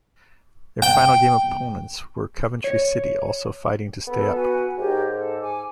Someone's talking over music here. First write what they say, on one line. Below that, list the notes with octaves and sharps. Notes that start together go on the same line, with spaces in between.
Their final game opponents were Coventry City also fighting to stay up.
G5
C#5
B3 A4 B5
F#4 B4 G#5
G#2 G4 A#4 C#5
A4
G#5 D6